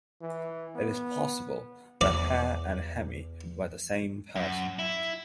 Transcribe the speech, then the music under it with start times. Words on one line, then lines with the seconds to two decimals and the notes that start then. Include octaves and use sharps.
It is possible that Hare and Hemi were the same person.
0.21 E3
0.76 B3
2.01 E2 D5
4.36 F#2
4.79 E4